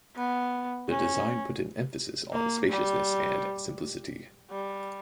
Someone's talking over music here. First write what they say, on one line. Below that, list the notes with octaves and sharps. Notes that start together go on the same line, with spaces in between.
The design put an emphasis on spaciousness and simplicity.
B3
C#4
A#3
G3
G3